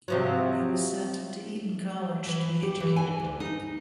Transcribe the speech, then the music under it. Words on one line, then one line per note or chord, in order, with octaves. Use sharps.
He was sent to Eton College to be educated.
C3 F3 F#3
E3
G4
E3
G#5
D2
D#4